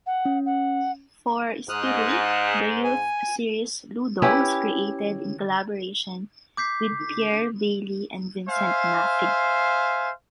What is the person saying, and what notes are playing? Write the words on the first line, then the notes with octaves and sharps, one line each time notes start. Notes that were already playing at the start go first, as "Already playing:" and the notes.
For "Spirou", the youth series "Ludo" was created in collaboration with Pierre Bailly and Vincent Mathy.
F#5
C#4
F#5
G#2 D#6 F6 F#6
G#5
C#4 E4 G4 B4
D6 G6 B6 C7
C5 E5 F5 G#5